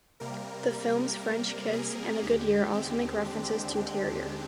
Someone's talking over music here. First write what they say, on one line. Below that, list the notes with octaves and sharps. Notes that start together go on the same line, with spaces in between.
The films "French Kiss" and "A Good Year" also make references to "terroir".
C3 G3 A#3 A#4
A#4
A#4
G#4
D#2 D3 G#3 G4
C4
D4
C4